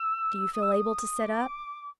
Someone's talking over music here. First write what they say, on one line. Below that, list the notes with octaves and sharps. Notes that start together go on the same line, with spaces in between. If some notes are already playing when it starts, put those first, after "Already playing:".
Do you feel able to sit up?'
Already playing: E6
D#6
E6
D#6
D6